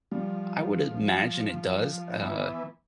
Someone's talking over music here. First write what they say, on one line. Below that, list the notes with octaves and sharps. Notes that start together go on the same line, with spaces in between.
I would imagine it does, uh,
F3 G3
E3 B3